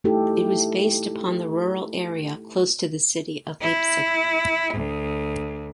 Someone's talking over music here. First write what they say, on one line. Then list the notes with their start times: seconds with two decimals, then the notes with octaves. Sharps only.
It was based upon the rural area close to the city of Leipzig.
0.04 A3 D#4 E4 G4 A4
3.61 E4
4.73 D2